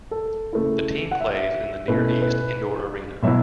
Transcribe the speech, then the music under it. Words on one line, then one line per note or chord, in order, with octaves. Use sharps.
The team plays in the Near East Indoor Arena.
A4
C#3 A3 E4
F#5
E5
B2 A3 C#4 E4 B4
B4
B2 F#3 B3 E4 E5